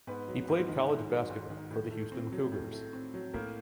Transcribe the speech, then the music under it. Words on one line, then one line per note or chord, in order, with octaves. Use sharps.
He played college basketball for the Houston Cougars.
G#2 B3 B4
F#3
G#2
D#3
G#2
F#3
G#2
D#3
A2
A3
C4
F#3
A2
A3
C4
F#3
A2 A#3 A#4